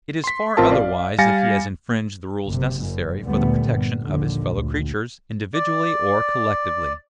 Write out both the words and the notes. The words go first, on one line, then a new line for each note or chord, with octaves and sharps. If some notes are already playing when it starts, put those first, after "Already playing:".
It is far otherwise if he has infringed the rules necessary for the protection of his fellow-creatures, individually or collectively.
C6 B6
A1 C4 F4 A#4 A5
D5 F5
G3 F5 G#5 A6 A#6 C#7
F#1 C3
F#2
D2 A#2 D3 G3 A3 B3
G1
A#1 D#2 D3
D2
D5